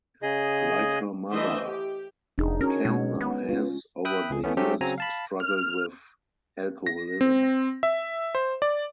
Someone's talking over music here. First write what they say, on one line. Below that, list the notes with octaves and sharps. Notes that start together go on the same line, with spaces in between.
Like her mother, Kantner has, over the years, struggled with alcoholism.
C#3 G#4 D#5
E3 A3 D4 C5 D#5 E5
G4
F1 D4 D#4 G#4
C#4 F#4 A#4 C#5
B2 G#3
B3
C#4 F4
E5 G5 B5 D#6 F#6
C#2 G#4
E3 A3 B3 C#4
F#3 A3 C4 C#4 G4
C#3 F#3 C4 G#5 A#5
F5 A5 B5
F6
A#6
C4
E5
C5
D5